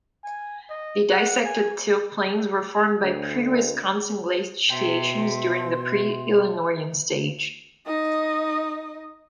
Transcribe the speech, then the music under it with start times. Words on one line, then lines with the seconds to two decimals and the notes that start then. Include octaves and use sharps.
The Dissected Till Plains were formed by pre-Wisconsin glaciations during the Pre-Illinoian Stage.
0.24 G#5
0.69 D#5
1.11 F#5
1.45 G#5
3.03 D2
4.70 B2 E5 G5 C6
7.87 D#4 D#5